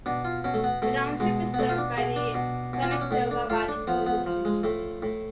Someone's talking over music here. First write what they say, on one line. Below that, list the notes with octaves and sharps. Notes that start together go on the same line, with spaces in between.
The township is served by the Conestoga Valley School District.
B2 D4
F4
B2 C#4
A3
B3
B2 A3
B2 G#3
B3
B2 A3
F4
D4
B2 G#4
D4
B2
B2
F4
D4
C#4
A2 B3
D4
A2 F4
D4
F3 B3
B3
F3
G#3
A2 A3
A2